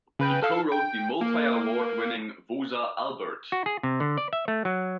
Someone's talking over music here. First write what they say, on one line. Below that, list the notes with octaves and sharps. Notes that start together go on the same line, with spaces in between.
He co-wrote the multi-award winning Woza Albert!
C#3 B4 G5
A4 F5
G5
A#3
F#4
G#4
C3
D3
D5
E5
A3
F#3